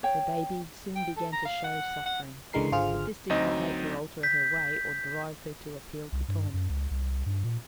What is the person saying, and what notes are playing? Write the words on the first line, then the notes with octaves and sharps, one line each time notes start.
Her baby soon began to show suffering, but this did not make her alter her way, or drive her to appeal to Tom.
C#5 G5
G5
A4
A#5
F5
F#5
F#5
C#2 D3 E3 G#3 A#4 C7
G#1 D3 F4 G#4 C5 F6
D2 F#3 C4 D#4 D#5
G6 B6
C2
G2
F#2
C#2
C2
G2
A#2